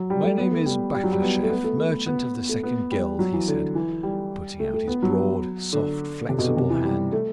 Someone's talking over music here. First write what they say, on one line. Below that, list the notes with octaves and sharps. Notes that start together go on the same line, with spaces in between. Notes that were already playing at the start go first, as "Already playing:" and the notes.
"My name is Baklasheff, merchant of the Second Guild," he said, putting out his broad, soft, flexible hand.
Already playing: F#3
G3
A3
B3
A3
G3
G3
F#3
G3
B3
A3
B3
A3
A3
B3
B3
A3
B3
G3
F#3
E3
D3
E3
G3
A3
A3
B3
F#3
D3
C3
B2
D3
C3
E3
G3
A3